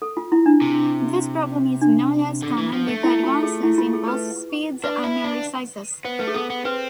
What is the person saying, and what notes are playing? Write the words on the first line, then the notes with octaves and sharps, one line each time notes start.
This problem is not as common with advances in bus speeds and memory sizes.
A4
F4
E4
D4
C3
D4
D3
E3
F3
A3
E4
F4
G#4
E4
F4
G#4
B4
D4 B4
E4
D4
B3 C5
A3 B4
G#4
B3 A4
B3
C4 B4